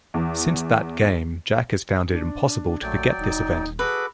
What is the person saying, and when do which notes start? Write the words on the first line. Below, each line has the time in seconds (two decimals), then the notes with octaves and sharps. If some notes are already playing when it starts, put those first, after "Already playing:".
Since that game, Jack has found it impossible to forget this event.
0.14 E2
2.09 D4
2.82 A#1 F#3 A3 D5 G5
3.19 D#1 D#4
3.79 F#4 G#4 A4 B4 D6